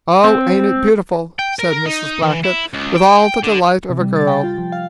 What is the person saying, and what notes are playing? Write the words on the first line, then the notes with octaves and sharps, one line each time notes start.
"Oh, ain't it beautiful!" said Mrs. Blackett, with all the delight of a girl.
C4
G5
A#4
D#4
E3
E4
C#2
G5
D3
C3
G3
A6
G5
F4
F3
F5